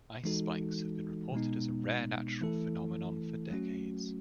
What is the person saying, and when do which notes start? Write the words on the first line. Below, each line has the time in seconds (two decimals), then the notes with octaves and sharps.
Ice spikes have been reported as a rare natural phenomenon for decades.
0.24 E3 G#3 D#4 F#4 A4
1.32 B2 G#3 B3 D#4
2.41 E3 A3 E4 A4
3.49 F#3 A3 C#4 F#4